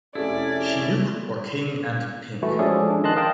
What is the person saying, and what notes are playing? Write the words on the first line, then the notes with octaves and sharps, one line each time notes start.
Chinook or King, and Pink.
F1 C#4 E4 G#4 A4 D5
E3 A3 E4 F#4
F3 G#3 C#4 G#4 A4 D5
D4
D#3 D#5 A5 C6 F#6
A#4 D#5 F5 G5 A5